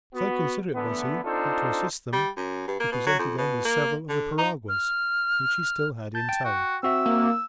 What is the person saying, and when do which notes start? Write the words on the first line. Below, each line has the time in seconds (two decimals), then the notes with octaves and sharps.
So considerate was he that to assist them he presented them with several of the piraguas which he still had in tow.
0.14 B3 F#4
0.75 D3 E3 A3 B3
1.24 C4 D4 D#4 F4 A4 C5
2.13 G3
2.37 F#2
2.68 G2
2.80 A#3
2.92 B2
3.06 F#3
3.19 F2
3.37 B2
3.65 A#3
4.09 D3
4.38 D#4
4.69 F6
6.15 A5 G6
6.29 G5
6.45 F#4
6.83 C4 F#4 E5 E6
7.06 A#3